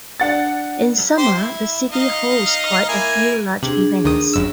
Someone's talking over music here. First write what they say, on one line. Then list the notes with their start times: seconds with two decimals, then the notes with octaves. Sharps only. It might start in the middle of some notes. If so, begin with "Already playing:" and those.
In summer, the city hosts quite a few large events.
0.20 D4 F#5 A6
1.17 G4 C5 C6
1.35 E4
1.91 D#4 D#5 F5
2.89 A#3 E4 G#5
3.63 C3 D4 G#4
4.04 D2 D#3 D#6
4.34 G1 F#2 E6